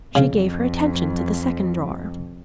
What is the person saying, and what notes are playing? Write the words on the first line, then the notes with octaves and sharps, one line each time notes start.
She gave her attention to the second drawer.
F2 C#3